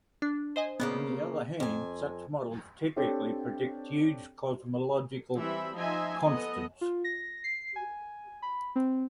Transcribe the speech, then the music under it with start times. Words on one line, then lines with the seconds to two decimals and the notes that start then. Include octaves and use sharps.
On the other hand, such models typically predict huge cosmological constants.
0.22 D4
0.56 C5 D#5 G#5
0.80 A#2 C#3 A#3 B3
1.60 F2 G#5
2.96 C4 D4 G4 A4 C#5 G5
5.36 E3 G3 C4 E5 B5
5.76 F3 D#4 D#5 E5 G#5 C6
6.21 B3 A4 D#5
6.81 F4
7.04 A#6
7.44 C7
7.76 G#5
8.42 B5
8.76 C4